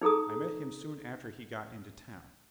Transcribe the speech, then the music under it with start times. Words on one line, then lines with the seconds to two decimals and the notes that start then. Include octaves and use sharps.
I met him soon after he got into town.
0.02 D#4 G#4 A4 A#5 D#6